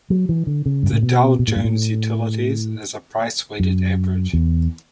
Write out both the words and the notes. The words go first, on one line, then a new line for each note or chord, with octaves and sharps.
The Dow Jones Utilities is a price-weighted average.
F#3
E3
D3
C#3
G2
A2
B2
B2
A2
G2
A2
F#2
E2